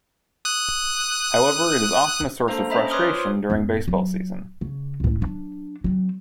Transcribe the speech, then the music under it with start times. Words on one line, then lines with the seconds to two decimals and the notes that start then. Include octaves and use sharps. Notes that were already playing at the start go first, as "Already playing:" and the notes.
However, it is often a source of frustration during baseball season.
0.45 D#6 F#6
2.48 A#3 D4 A4 C5 F5 A#5
2.70 C#4 C5 D#5 E5 A#5 B5
2.91 B4 C#5 C6 D6 D#6 F6
3.14 F4 C5
3.50 F#2 B3
3.88 F#3
4.61 C#3
5.00 C#2 A2
5.21 F#3 D4
5.84 F#3 C4